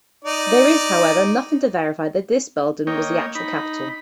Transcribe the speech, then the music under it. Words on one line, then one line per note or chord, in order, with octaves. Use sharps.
There is, however, nothing to verify that this building was the actual capitol.
D#4 D5
A#3 C#5 D#5 G5
D#4 B5